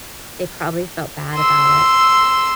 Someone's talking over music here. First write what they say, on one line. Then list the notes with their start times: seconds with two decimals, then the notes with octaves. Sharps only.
they probably felt bad about it.
1.34 C6 E6